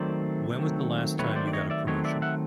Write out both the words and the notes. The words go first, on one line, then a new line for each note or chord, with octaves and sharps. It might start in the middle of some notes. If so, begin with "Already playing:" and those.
When was the last time you got a promotion?
Already playing: D#3 F#3 A3 C4 C5 D5
D#3 F#3 A3 C4
D#3 F#3 A3 C4 B4 C#5
C5 D5
D5
C#5 D#5
D5 E5
D#3 F#3 A3 C4 C#5 D#5
D5 E5
E5 F#5